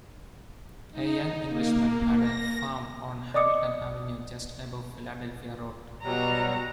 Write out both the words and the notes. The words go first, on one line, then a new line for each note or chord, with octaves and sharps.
A young Englishman had a farm on Hamilton Avenue just above Philadelphia Road.
D#4
A#3
A#6
D5 D#5 D6 D#6 C#7
B2 F#3 G3 F#4 A#5